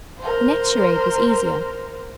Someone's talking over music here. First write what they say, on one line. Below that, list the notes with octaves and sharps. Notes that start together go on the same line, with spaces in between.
The next charade was easier.
A#4 C5